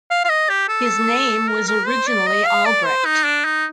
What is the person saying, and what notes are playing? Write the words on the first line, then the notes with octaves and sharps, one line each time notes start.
His name was originally Albrecht.
F5
F5
D#5
G4
A4
A#4
A#4
C5
D5
D#5
F5
D5
C5
D#4
D4
D#4